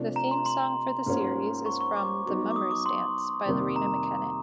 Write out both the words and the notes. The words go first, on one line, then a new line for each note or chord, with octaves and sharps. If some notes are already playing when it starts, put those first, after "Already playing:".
The theme song for the series is from "The Mummers' Dance" by Loreena McKennitt.
Already playing: C3 F3 A3 D4
A#5
C6
C6
G#2 F3 A#3 C#4
C6
C#6
C#6
D6
F#3 B3 D#4
D6
D#6
D6
C6
F2 C3 D#3 G3 A#3
A#5